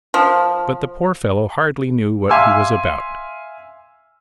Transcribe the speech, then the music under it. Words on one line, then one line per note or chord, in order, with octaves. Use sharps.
But the poor fellow hardly knew what he was about.
F3
E5 F5 G#5 C6 D6 E6